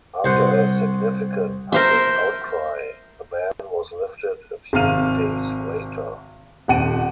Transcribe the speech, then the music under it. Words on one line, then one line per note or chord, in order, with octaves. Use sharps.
After a significant public outcry, the ban was lifted a few days later.
C2 C5 F#5
A#4 C5 E5
G#1 C3 F5 F6 D#7 F7
D#1 F2 F#5 D7 D#7